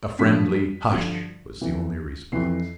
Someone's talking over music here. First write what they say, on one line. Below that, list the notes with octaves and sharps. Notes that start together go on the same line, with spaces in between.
A friendly "hush!" was the only response.
G2 D3 F3 B6
B6
G2 D3 F3
F2 E3
F2 E3 C7